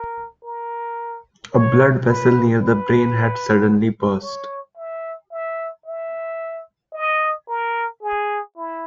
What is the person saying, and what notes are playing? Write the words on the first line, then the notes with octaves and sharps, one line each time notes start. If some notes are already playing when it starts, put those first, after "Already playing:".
A blood-vessel near the brain had suddenly burst.
Already playing: A#4
A#4
C#5
B4
B4
C#5
E5
E5
E5
D#5
A#4
G#4
E4